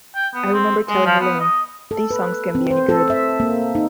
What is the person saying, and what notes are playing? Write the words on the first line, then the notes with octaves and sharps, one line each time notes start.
I remember telling Elaine, 'These songs can't be any good.
G5
B3
C4
G#3
F3
B3
D#5
A4
B4
C4
C5
A4
E5
A#3
D#4